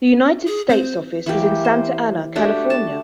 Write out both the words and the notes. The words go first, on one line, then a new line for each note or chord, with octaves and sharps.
The United States' office is in Santa Ana, California.
G#4
C4 C5
E3 A#3 G4
C5
A3 D4 F#4 G4
A5